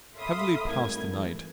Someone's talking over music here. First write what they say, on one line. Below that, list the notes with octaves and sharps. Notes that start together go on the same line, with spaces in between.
Heavily passed the night.
A4 E5 F5 B5 C6 D#6
G#1 G2 A3 E4 A4 G#6
E3